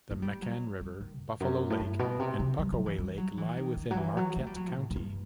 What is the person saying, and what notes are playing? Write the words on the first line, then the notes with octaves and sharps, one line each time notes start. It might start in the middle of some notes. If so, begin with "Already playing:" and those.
The Mecan River, Buffalo Lake, and Puckaway Lake lie within Marquette County.
A3
G3
F#3
G3
D#3
E2
F#2
A2
G2
B2
C3
C3
G3
F#3
E3
G3
F#3
E3
D#3
D#3
F#3
E3
F#3
A3
G3
F#3
A2
A2
G2